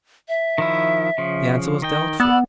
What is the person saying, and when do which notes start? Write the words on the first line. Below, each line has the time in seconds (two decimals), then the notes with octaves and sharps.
The answer was doubtful.
0.28 E5
0.58 D#3 F3 E4
1.18 C#3 F3
1.82 D#3 D#5 G5
2.20 B3 D5 B5 E6 F#6